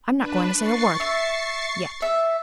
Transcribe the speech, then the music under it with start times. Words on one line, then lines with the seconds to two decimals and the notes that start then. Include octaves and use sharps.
I'm not going to say a word--yet.
0.18 D4 B4
0.58 C#6 A6 C7
1.00 E5
2.02 E5